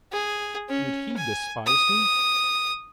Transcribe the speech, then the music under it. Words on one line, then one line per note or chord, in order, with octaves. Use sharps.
Did he despise me?
G#4
C#4
G#5
D#6